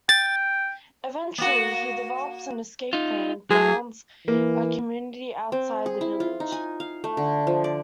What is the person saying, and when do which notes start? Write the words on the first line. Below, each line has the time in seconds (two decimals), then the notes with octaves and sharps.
Eventually, he develops an escape plan and founds a community outside the village.
0.09 G5 A6
1.38 A#3 F#4
2.93 D#4 F4
3.50 F#3 G#4
4.28 E3 A#3
5.52 C4
5.86 G#4
6.01 E4
6.20 F4
6.40 D#4
6.52 G#5
6.80 F5
7.04 A3
7.17 D3
7.47 F3
7.64 D5